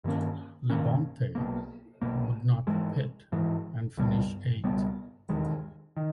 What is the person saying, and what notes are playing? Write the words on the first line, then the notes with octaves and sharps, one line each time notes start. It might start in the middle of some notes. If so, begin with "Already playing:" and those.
Labonte would not pit and finish eighth.
G2 D#3 A#3 C#4
G2 D#3 A#3 C#4
B1 B2 A#3
B1 B2 A#3
G#2 E3 G#3
G#2 E3 G#3
C#2 B2 G3 B3
C#2 B2 G3 B3
E1 D#2 D#3 G#3
D#3